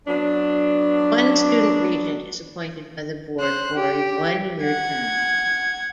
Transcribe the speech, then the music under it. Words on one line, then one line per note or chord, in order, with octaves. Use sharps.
One student Regent is appointed by the Board for a one-year term.
F#3 B3 D4
C5 F#6
G4
F#5 G#6